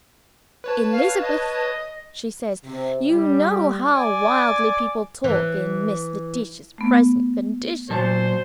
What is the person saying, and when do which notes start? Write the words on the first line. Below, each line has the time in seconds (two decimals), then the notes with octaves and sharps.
'Elizabeth,' she says, 'you know how wildly people talk in Miss Letitia's present condition.
0.64 B4 C#5 A5
0.92 F5
1.21 D#5
2.64 C3
3.09 G3
3.93 D5 G#5
5.24 E3
6.78 A3 B3
7.90 A#2 F#3 C5 A5